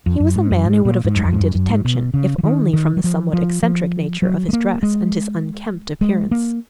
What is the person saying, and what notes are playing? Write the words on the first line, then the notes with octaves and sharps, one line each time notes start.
He was a man who would have attracted attention, if only from the somewhat eccentric nature of his dress and his unkempt appearance.
F2
F#2
G#2
F#2
G#2
A#2
G#2
F#2
F2
G#2
F#2
F#2
G#2
B2
C#3
F3
D#3
D#3
F#3
F3
F3
F3
F#3
G#3
A#3
G#3
G#3
A#3